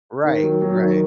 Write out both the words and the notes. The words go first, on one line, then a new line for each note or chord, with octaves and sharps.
Right, right.
D#3
F#3
F#3
D#3